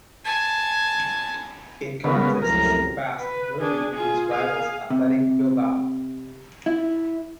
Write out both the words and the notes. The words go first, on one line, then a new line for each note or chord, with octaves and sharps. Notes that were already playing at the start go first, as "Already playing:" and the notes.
It contests the Basque derby against rivals Athletic Bilbao.
G#5 A5
C#3 G#3 B3 G#4 A#4
C#2 F#2 A2 C3 F3 A#4 A#5
B4
D4 G#4
F4 G#4
G#4 F5
C3
E4